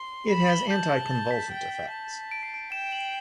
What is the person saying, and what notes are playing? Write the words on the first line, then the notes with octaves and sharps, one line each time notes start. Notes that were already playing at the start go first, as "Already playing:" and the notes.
It has anticonvulsant effects.
Already playing: C6
B5 E7
F#7
G7
F#7
A5 G6
A6
B6
G5
A5
D7
C7
D7
G5 E7
F#7